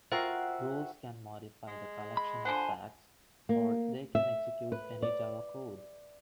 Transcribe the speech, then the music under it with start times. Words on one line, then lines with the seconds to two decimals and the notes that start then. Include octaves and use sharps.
Rules can modify the collection of facts, or they can execute any Java code.
0.12 F4 F#4 A#4 C5 E5 F#5 G5 E6
1.67 G#3
2.17 B5
2.45 D3 F3 C5 F#5 G#5
3.49 A#3
4.15 E5
4.72 B4
5.02 D5